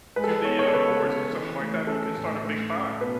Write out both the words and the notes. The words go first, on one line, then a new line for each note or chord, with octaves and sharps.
to the, uh, forest or something like that? You could start a big fire.
G#3 B4
A4
B4
B3 C#5
C#5
A4
C#3 B4
C#3
E3
A3
C#4 A4
A2
A3
C#4
B2 B4